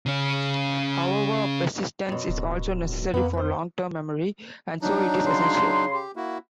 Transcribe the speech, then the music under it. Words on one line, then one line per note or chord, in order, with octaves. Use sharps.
However persistence is also necessary for long-term memory, and so it is essential.
C#3 C#4
F#2 B2
D1
F2 A#3 B3
B4 C5
F#3 D4 D#4
C#3 C6
G4
A#3 E4 F#4